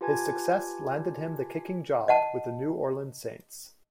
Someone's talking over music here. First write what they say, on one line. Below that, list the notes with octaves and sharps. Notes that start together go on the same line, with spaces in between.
His success landed him the kicking job with the New Orleans Saints.
F4 G4 B4 G#5 A5 G#6
D#5 F#5 A5